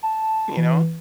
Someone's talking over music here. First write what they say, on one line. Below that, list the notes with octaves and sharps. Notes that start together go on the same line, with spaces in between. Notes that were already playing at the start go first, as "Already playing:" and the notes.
you know?
A5
E3